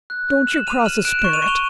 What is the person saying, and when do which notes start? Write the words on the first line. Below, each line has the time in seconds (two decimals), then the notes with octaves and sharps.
"Don't you cross a sperrit."
0.10 F#6
0.28 F#6
0.47 F6 E7 F#7
0.67 F6 D#7 F7
0.86 F6 E7 F#7
1.05 F#6 D7 E7
1.19 D7 E7
1.24 C#6
1.33 D#7 F7
1.42 C#6
1.48 F7 G7